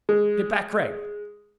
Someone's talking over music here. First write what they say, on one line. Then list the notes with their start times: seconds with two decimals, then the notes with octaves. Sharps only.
Get back, Gregg!
0.09 G#3